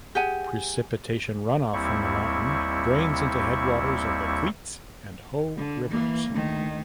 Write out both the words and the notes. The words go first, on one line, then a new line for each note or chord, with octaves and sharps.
Precipitation runoff from the mountain drains into headwaters of the Queets and Hoh Rivers.
G4 G#4 F#5 G#5
D#2 G3 C4 E4 C#6
D3
E3 A#3
D2 D#3